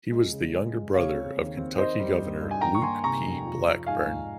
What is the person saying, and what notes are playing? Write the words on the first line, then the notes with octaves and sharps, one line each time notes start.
He was the younger brother of Kentucky governor Luke P. Blackburn.
G#3
C#3
G#3
G#3
C#3 C#5 F5
C4
D#2
C4
D#3 C5 D#5
G3
G2
G2
G#5
D#3 G5 A#5
C#6
A#3 G#5 C6
C3 A#5 C#6
F2
F3
F3
G#2 F5 G#5
G#2